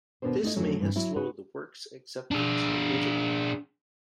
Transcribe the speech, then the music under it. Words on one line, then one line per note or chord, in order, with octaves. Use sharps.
This may have slowed the work's acceptance in Italy.
D#2 B2 B3 D4 A#4 C5
A3 D#4 E4 D#5
F2 D3 D#3 F#3 A3 C#4
G2 C3 E3
F#3 E4
D#4 F#4 B4
D4 G#4